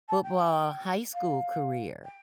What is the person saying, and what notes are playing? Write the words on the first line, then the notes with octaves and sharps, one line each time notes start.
football high school career?
A5
G5
F5
G5